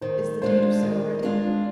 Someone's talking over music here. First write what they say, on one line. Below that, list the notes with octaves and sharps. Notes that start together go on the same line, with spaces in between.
"Is the deed of sale ready?"
D#3 C5
G#3 D4 F4 C5
D#3
G#3 D4 F4